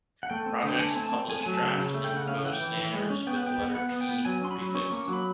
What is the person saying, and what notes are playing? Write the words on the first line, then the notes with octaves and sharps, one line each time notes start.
Projects publish draft and proposed standards with the letter "P" prefixed.
F#5
A3 G5
C4
D3 G5
A3 G#5
C4 G#5
A5
C4
A3 G#5
F#3 G#5
A5
C#3
C#3
A3
G5
C#3
F#5
C#4 F5
E3 F#5
G5
E3
E3
G#3
C#4
B3 G5
F#5
B3 G5
B3
B3 F#5
B3
G5
B3
F#3 G#5
C#4 C6
B5
F#3
C#4 C#6
A#3 C#6
F#3
B5